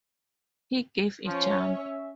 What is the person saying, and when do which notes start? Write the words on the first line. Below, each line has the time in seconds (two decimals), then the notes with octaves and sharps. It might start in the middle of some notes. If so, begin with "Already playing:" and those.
He gave a jump.
1.26 F3 C#4 C#5
1.59 E5